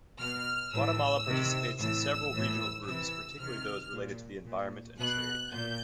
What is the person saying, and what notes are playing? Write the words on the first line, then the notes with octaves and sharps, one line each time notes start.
Guatemala participates in several regional groups, particularly those related to the environment and trade.
B2 F6
A2 E3 E6
C3 D#3
A2 E3 E6
A2 E3
C3 E3 E6
C3 D#3 F6
A#2
A#2
B2 F#6
A#2 G6